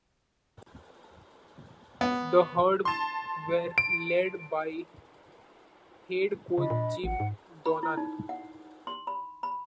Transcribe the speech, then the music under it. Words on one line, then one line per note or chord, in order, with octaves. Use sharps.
The Herd were led by head coach Jim Donnan.
B3
A5 C6
D7
C#3 D4 D#5 B5
A#2
A1 F#5
G#2
B5
E4
D#4
F#5
C6
B5
B5